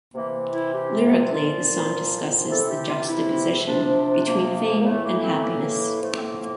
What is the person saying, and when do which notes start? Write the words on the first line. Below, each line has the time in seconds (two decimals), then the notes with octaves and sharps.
Lyrically the song discusses the juxtaposition between fame and happiness.
0.13 C3 E3 A#3
0.53 E4
0.73 G4
1.02 F4
1.31 A#2 F3 F4
2.49 C3 E3 A4
2.69 G4
2.88 F4
3.08 E4
3.67 C3 F3 D4
4.26 A#3
4.80 A#3
4.84 A2 E3 A3
5.04 A#3
5.23 C4
5.38 A3
5.43 A#3
6.01 A2 F3 A3
6.16 C4
6.22 A#3
6.41 A#3